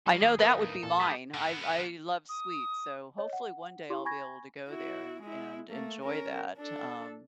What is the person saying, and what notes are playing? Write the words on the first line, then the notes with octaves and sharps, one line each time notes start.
I know that would be mine, I I love sweets, so hopefully one day I'll be able to go there and and enjoy that, um,
F#3 G3 A#3 A4
D#2 G#4
E3 D#4 A#4 B4 E5 F5
D#2 A2
A#2 A4
F3 G#3 G4 A5 B5 D#6 G6
D3 B3
D#6
C#5 D#5
F#5
E4 G4 C6 D6
G#5 B5 C#6 G#6 A#6
E4 F#4
G#3 E4
A3 A#3
C#4 A#4
D4 A4